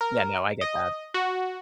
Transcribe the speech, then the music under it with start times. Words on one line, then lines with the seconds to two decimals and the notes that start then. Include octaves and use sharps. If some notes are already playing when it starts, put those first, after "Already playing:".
Yeah, no, I get that.
0.01 A#4
0.61 D#5
1.14 F#4